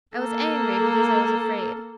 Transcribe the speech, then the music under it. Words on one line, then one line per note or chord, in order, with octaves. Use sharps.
I was angry because I was afraid.
A#3 A4